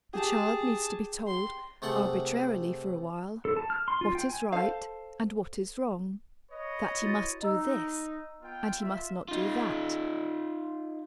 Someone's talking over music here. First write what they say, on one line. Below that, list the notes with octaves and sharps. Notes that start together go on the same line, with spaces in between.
The child needs to be told, arbitrarily for a while, what is right, and what is wrong, that he must do this, and he must not do that.
G4 G#4 A5
C6
C3 A3 G#4 F#5 C6
A4
A5
F6
C6
F4
G5
G#5
A4 C5 F5
B4 C#5 D#5
E4 F#4 A6
D#4 D#5 A#5 E6
B3 F4 G5
F4 E5
D#4 F4